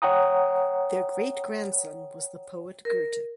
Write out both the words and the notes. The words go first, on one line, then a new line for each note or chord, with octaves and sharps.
Their great grandson was the poet Goethe.
C#5 F#5 G5 A#5 D#6
A#4